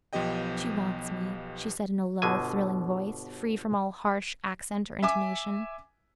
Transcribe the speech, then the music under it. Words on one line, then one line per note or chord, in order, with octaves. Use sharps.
"She wants me," she said in a low, thrilling voice; free from all harsh accent or intonation.
B1 F3 B3 G4 D#5 G5
G1 B2 D3 G#5
E5 G#5 D6